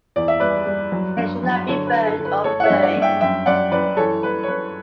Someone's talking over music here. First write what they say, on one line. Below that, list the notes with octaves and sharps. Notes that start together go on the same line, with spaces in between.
They should not be burned or buried.
E2 D5
E5
G3 B4 D5
G3
F#3
G2
F#3
D3 A4 C#5
B4
A3
A4
D3
B4
A3 A4 C#5
F#5
C#5 E5
G2
D5 F#5
G2
E5 G5
F#2 E5 G5
F#2 D5 F#5
F#2 B4 D5
E3 A4 C#5
G3 B4
C#5
F#2 B4